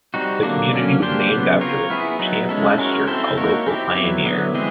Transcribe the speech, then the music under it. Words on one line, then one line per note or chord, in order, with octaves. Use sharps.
The community was named after Champ Lester, a local pioneer.
G3 C4 D#4 F#4
D3 F#3 A#3 D4
D3 F#3 A#3 C#4
A#3 D4 G4 C5
C#3 F#3 B3
C4 F4 A#4 C#5
B3 E4 G#4
F#3 B3 D#4
G#3 C#4 E4 A4
G#3 C#4 F#4 A#4 C#5
C4 E4 A4 C5
A#3 D#4 F#4 A#4 C#5
C4 E4 G4
F#3 B3 E4
D3 F#3 B3 E4
E3 G#3 C4 E4 G#4